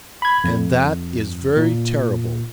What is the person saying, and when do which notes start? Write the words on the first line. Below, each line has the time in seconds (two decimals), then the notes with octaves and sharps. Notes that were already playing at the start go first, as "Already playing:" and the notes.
And that is very terrible.
0.22 B5 G#6
0.44 F2
1.57 A#2